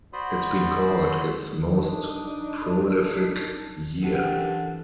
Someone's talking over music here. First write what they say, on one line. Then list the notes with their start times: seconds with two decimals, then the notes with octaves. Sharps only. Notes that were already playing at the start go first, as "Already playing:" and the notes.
It's been called its most prolific year.
0.13 F#4 C5 D5 B5 C6 D#6
1.70 D4 D#4
4.02 A#2 E3 C4 D4 G4 A4 B4 F#5